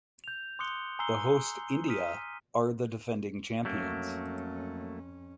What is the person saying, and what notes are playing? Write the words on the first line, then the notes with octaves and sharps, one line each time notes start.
The hosts India are the defending champions.
G6 F7
C6 D6 D#6 F#6 C#7 G7
G#5 A#5 C6 E6 C7 G7
D#6 F6 B6 D#7
F2 F#3 A3 A#3 C#4